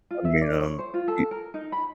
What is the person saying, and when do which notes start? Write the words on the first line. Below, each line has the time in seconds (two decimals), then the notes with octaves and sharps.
I mean, um, y
0.11 F4
0.25 E5
0.42 D5
0.60 C#5
0.79 C5
0.94 F4
1.08 A4
1.31 A#4
1.54 D#4
1.72 B5